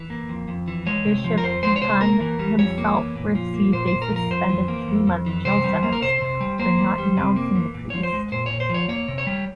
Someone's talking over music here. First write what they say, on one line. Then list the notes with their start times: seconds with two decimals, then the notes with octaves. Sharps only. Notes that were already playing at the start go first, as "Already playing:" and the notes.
Bishop Pican himself received a suspended three-month jail sentence for not denouncing the priest.
Already playing: E3
0.10 A#3
0.29 F2
0.48 F2
0.68 E3
0.87 G#3 C#5
1.06 C3
1.24 F3
1.38 A#4
1.44 F2 C5
1.63 G#3 C5
1.76 C#5
1.82 C3 C5
2.01 A#3 A#4
2.20 E3
2.39 G3
2.58 F2 C#5
2.78 A#3
2.96 E3
3.16 A#2
3.35 F3
3.54 A#3
3.72 A#2 C5
3.87 A#2 C5
4.02 A#4
4.12 F3 A#4
4.31 F2 C5
4.49 E3
4.68 A#3
4.88 F2
5.07 F2
5.26 E3
5.45 C3 C5
5.64 G3
5.83 A#3
5.93 A#4
6.02 C3 C5
6.21 C3
6.41 G3
6.59 A#3 C5
6.79 E3
6.98 G3
7.17 C3
7.36 A#3
7.55 E3
7.74 A#2
7.90 F3 C#5
8.03 C5
8.13 G#3
8.32 A#2 C5
8.46 A#2 C#5
8.60 C5
8.69 F3
8.74 C#5
8.88 A#3 C#5
9.08 C3
9.18 C#5
9.27 G3